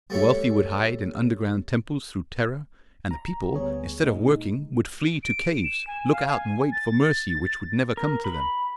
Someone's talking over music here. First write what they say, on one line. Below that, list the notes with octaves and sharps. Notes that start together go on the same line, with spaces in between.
The wealthy would hide in underground temples through terror, and the people, instead of working, would flee to caves, look out and wait for mercy which would never come to them.
G3 A3 C#5 E5
A#5
D2 G3 B3 G#4 C#5
A#2 G#3 D#4
D7
E7
G#5
F5
G#5
A6
A#4
B5